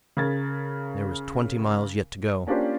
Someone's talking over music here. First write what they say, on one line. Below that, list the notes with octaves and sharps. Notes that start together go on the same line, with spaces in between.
There was twenty miles yet to go.
C#3 A#4 G#6 A6
A#3 C#4 D4 F4 G4 C5